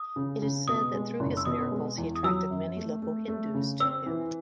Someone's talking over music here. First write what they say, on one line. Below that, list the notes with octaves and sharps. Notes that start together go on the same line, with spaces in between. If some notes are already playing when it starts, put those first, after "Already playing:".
It is said that through his miracles he attracted many local Hindus to him.
Already playing: D#6
C#3
C#3
B2 D#6
G#3
F#1
E6
B2 D#6
G#3
E2
D#6
F#3 E6
F#2
A3
A3
A3
C#3
C4 E6
E3